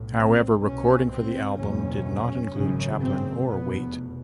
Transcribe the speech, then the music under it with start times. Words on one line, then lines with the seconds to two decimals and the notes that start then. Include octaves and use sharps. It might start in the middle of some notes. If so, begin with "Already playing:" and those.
However, recording for the album did not include Chaplin or Waite.
Already playing: B1 A2
0.13 C4
0.60 C2 B2 C#4
1.09 C4
1.56 F#1 E2 B2 C#4
2.53 G#1 F#2 C#3
3.01 C4
3.48 F1 E2 B2 B3